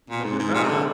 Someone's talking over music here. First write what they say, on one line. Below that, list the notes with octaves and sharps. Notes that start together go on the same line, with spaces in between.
No, they're not.
A#2
G#2
G#2
A#2
C3
D3